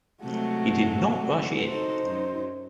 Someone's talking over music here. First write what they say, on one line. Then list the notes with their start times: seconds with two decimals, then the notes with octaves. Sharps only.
He did not rush in.
0.23 C3 F#3 G#3 A3 F#4
1.67 D#4 F#4 A4 C5
2.04 F#2 F#3